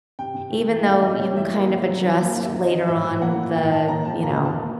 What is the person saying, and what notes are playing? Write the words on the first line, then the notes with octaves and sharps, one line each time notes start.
even though you can, kind of adjust later on the you know,
C3 G5
C3
A3
E3
C3 F5
C3 D#5
A3 C#5
E3 E5
A#3
C3
F#3
D#3
A#3
C3
E5
F#3
D#5
D#3
A2 E5
A2
A#3 F#5
F3
A2 G5
A2 A5
A#3 A#5
F3 A5
A#2 A#5
A#2
A5
A#3